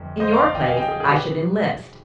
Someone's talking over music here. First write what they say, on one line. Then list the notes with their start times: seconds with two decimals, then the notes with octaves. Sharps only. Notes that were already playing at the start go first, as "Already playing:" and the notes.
In your place, I should enlist.
Already playing: G1 F2
0.20 C5 D#5
0.32 D5 F5
0.43 D5 F5
0.55 D#5 G5
0.66 F5 G#5
0.77 D#5 G5
0.88 G#4
1.00 G#4
1.11 B2 G4 B4